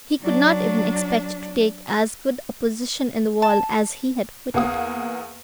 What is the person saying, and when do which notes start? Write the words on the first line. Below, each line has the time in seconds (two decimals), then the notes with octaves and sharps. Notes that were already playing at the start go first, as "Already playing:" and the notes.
He could not even expect to take as good a position in the world as he had quitted.
0.21 F#3 D4
3.42 A5
4.54 E2 A#3 B3 F5 F#5 D#6